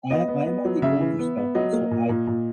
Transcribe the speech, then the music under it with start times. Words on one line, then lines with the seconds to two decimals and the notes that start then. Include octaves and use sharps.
I I am on the older spectrum, so I
0.10 B3 D#5
0.28 B3
0.46 B3
0.65 F#3
0.82 C#3 E5
1.00 E3
1.19 B3
1.37 B3
1.55 F#3 D#5
1.73 A#3
1.91 A#2
2.09 A#2
2.27 A#2